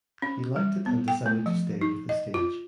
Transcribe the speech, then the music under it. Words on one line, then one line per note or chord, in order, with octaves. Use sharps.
He liked it and decided to stay with the stage.
C#4
G3
B3
G5
A3
F3
D#4
D#5
F4